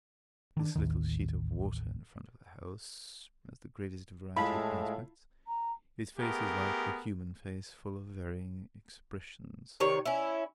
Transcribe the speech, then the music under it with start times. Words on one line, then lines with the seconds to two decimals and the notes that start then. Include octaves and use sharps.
This little sheet of water in front of the house has the greatest variety of aspects; its face is like a human face, full of varying expressions.
0.57 D#3 D4
0.76 A1 D#2 D#3
4.37 A2 G#3 E4 F4 A5 B5
5.47 A#5
6.18 A3 B3 G4 G#4 A#4
9.80 C3 D#3 C#5
10.06 C#4 E4